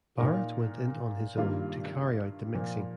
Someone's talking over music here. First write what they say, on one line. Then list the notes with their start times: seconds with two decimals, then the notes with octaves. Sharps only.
Barrett went in on his own to carry out the mixing.
0.19 A#2 A#3 D#4 A#4
1.37 G2 D#3 G3 A#3 F4
2.54 A#2 F3 A#3